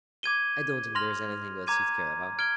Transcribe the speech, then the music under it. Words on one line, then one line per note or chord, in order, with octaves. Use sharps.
I don't think there is anything else you'd care about.
D6 G#6 D#7 G7
C6 F6 A#6 F7
A#5 D6 G#6 D#7
F6 G#6 D7 G7